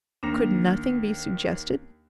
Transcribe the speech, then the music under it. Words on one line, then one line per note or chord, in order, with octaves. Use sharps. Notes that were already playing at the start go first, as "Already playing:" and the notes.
Could nothing be suggested?
D#2 A#3 D4 A#6 F7